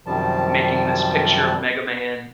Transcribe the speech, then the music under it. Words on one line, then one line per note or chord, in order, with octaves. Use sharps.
making this picture of Mega Man
F#2 C3 D#3 F3 G3 A5